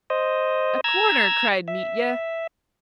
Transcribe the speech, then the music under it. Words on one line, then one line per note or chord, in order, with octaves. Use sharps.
"A corner!" cried Mitya.
C5 D#5
A#5 E6 G#6
E5